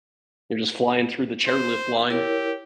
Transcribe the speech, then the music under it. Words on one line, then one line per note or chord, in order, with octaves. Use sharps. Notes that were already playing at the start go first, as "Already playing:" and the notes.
you're just flying through the chairlift line.
C5
E4 G4 A#4 C#5